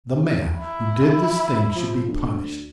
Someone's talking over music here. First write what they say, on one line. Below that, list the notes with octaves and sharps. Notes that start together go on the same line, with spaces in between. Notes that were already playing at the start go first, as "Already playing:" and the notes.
The man who did this thing should be punished.
E4
F3
D2